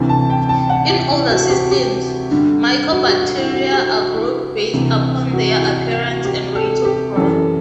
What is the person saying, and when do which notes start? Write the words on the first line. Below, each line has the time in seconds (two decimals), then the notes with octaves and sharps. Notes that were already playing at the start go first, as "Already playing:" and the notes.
In older systems, mycobacteria are grouped based upon their appearance and rate of growth.
Already playing: D2 C3 E3
0.09 A5
0.30 G5
0.49 A5
0.70 F#5
0.90 G4
1.11 E4
1.30 F#4
1.50 G4
1.71 G4
2.31 G2 D3
2.92 F#4
3.07 G4
3.22 F#4
3.37 E4
3.52 F#4
3.72 G4
3.93 F#4
4.13 E4
4.73 D2 C3 E3
5.33 F#4
5.54 E4
5.66 G4
5.74 F#4
5.94 F#4
6.25 G4
6.55 A4
6.85 G4
7.16 F#2 E3 A4